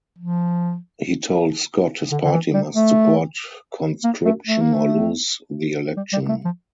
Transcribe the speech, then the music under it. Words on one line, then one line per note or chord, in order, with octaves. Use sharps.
He told Scott his party must support Conscription or lose the election.
F3
D3
D3
E3
G3
A3
A#3
A3
A3
A#3
A3
G3
G3
A3
F3